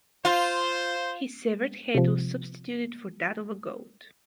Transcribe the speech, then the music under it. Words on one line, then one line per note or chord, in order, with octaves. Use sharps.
His severed head was substituted for that of a goat.
F4 C5
C3 F3